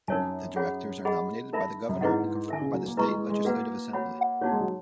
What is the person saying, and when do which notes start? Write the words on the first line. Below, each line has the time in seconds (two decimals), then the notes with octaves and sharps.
The directors are nominated by the Governor and confirmed by the state legislative assembly.
0.08 F#2 D#4 A#4 C#5 G#5
0.56 G#4 C#5 F#5 B5
1.05 G#4 D#5 F#5 B5
1.53 D#4 A#4 E5 B5
1.89 F#2
2.01 G#2 E4 G#4 B4 D#5 F#5
2.48 A#4 E5 G#5
2.61 C#3
2.74 F#3
2.86 A#3
2.97 G#3 E4 B4 D#5 A#5 C#6
3.13 G#3
3.29 G#3
3.45 A#3 F#4 B4 F#5
3.93 F#4 C#5 F#5 B5
4.41 A#3 D#4 F#4 C#5
4.51 G#3
4.61 F#3